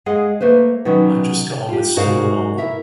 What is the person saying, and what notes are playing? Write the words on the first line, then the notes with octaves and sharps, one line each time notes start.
I just got on with school and all that.
G#3 G#4 D#5 F5 F#5
A3 A#3 B4 C5
B2 D#3 F#3 C#4 D#4
F4 G4
G#2 F#4 A#4 D5 F5
E4 A#4 E5